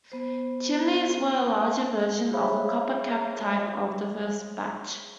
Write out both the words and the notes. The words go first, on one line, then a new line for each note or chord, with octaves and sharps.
Chimneys were a larger version of the copper-capped type of the first batch.
B3 C5
G#4 C5 C#5 E5 F5 B5